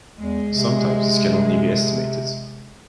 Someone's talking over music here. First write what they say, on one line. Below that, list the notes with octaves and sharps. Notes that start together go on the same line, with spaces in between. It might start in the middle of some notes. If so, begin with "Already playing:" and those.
Sometimes this can only be estimated.
E2 G#3
C3